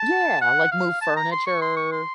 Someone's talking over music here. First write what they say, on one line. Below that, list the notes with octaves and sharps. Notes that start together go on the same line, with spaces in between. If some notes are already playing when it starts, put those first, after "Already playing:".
Yeah, like move furniture,
Already playing: A5
F#5
F5
A5
A#5
C6
C#6
C6
C#6
C6